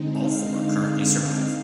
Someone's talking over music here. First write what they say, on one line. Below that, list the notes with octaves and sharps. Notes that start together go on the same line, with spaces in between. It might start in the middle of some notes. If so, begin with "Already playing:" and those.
All four currently survive.
Already playing: D3 G#3 C4 D#4
F5